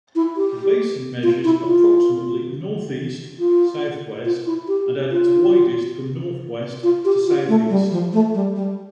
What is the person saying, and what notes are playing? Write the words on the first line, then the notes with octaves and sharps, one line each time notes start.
The basin measures approximately northeast-southwest and at its widest from northwest to southeast.
E4
G4
F4
E4
F4
F4
F4
E4
G4
F4
F4
G4
F4
A3
G3
F3
A3
G3
G3